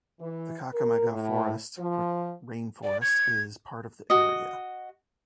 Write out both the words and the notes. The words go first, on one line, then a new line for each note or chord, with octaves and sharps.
The Kakamega Forest rainforest is part of the area.
E3
A#4
A2
F3
D5
G#6
F#4 D#5